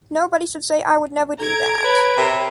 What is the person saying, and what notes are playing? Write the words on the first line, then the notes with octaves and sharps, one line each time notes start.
Nobody should say “I would never do that”.
A4 A#5 G#6 D7
B4 C#5
C3 A#4